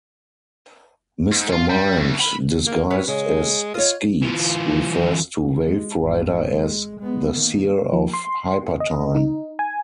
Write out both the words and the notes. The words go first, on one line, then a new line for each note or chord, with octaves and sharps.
Mister Mind, disguised as Skeets, refers to Waverider as "the seer of Hypertime".
G#2
F4
G3
D2
B5
A#3
F#4 B4 C#5
C#3 G#3
F4 C#5 D#5
E3 F4
G#3
G#1
G#3
G#3 B3
D#3 A#3
F3
C6
D#5
D#4
G#5